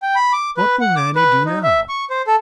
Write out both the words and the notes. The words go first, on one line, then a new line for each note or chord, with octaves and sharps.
What will Nannie do now?
G5
B5
D6
B4
F#5
D6
B4
D#4
E5
C#6
C5
A4